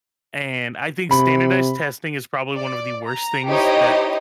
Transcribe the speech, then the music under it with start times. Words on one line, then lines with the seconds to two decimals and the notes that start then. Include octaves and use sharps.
and I think standardized testing is probably one of the worst things that
1.11 C3 B5
2.57 D5
3.07 A#5
3.47 D#4 E4 G4 C5 C#5 D#5